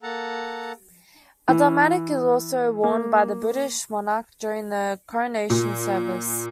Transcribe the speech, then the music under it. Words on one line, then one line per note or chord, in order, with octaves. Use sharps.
A dalmatic is also worn by the British monarch during the Coronation service.
A#3 A4 F#5 A5 A#5
E3
A#3
A#2